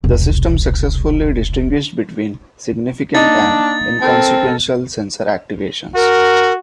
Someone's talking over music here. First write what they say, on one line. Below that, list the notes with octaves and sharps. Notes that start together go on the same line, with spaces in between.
The system successfully distinguished between significant and inconsequential sensor activations.
E1 C2
A#3 D4 D#4 A6
C4 A4 A#4
F#4 A#4